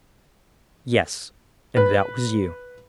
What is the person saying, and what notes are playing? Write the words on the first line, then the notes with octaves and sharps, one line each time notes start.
"Yes; and that was you!"
B4